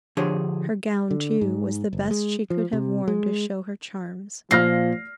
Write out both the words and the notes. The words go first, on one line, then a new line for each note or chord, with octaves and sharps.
Her gown, too, was the best she could have worn to show her charms.
D3 F3 D4 G4 G#4 C#5
D3
G#2
F#1
G#3
F3
C3
G#3
A#2 F3 F6 A#6 C7